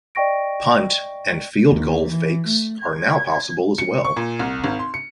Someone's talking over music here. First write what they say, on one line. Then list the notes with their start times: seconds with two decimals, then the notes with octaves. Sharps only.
Punt and field goal fakes are now possible as well.
0.15 D5 D#5 G5 C#6 A#6 D7
1.68 D#2
2.08 E3
2.47 A3
2.80 G#6
3.78 C#7
4.05 C#6
4.17 A#2
4.39 C2
4.64 G#1
4.79 C6
4.94 C#7